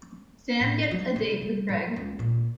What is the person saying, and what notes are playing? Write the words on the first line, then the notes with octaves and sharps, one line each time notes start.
Sam gets a date with Greg.
A2
F#3
C3
G3
G#2
C#2
A#2